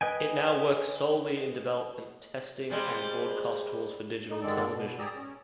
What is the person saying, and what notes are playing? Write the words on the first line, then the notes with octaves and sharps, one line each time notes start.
It now works solely in development, testing, and broadcast tools for digital television.
B4 D#5 G5 G#5
C3 G3 G#3
D#4
G2 D3 D#3 G#3 A4 D5
B2
G4 G#4 D5 A#5 D#6 E6
C#4